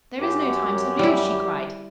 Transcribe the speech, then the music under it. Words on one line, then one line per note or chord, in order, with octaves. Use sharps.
"There is no time to lose," she cried.
F#2 G4
G3 E4